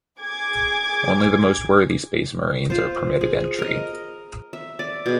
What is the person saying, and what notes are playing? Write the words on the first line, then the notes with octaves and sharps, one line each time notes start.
Only the most worthy Space Marines are permitted entry.
G#4 D6 G#6
F4 C5
G#4
A#4 D#5
E5
D5
B2 G#4